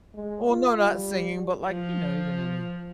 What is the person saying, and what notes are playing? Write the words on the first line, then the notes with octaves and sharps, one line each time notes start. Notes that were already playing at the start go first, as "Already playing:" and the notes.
Well, no, not singing, but, like, you know, even in
G#3
F4
G3
F3